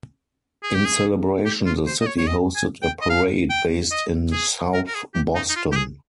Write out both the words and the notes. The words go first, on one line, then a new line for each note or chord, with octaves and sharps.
In celebration, the city hosted a parade based in South Boston.
G#4
G4
G#4
G4
F4
C5
D#5
C#5
C#5
D#5
G#5
G5
D#5
F5
G5
D#5
G#4
A#4
A#4
G#4
G4
D#4
D#4
F4
G4
G#4